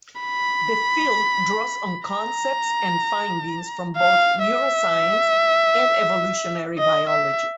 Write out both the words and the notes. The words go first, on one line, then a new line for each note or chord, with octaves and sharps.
The field draws on concepts and findings from both neuroscience and evolutionary biology.
B5
A#5
F5
E5
D#5
E5